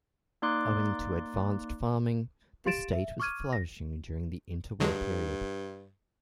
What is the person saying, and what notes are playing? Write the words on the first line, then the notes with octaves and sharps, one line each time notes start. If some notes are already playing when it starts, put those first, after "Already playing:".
Owing to advanced farming, the estate was flourishing during the interwar period.
A#3 D#4 D5 C6 D6 F#6
G4 F5 C6 A6 D7 E7
E5
C#6 D6 F6 G#6 D#7
A#6
G2 D3 F#3 G#3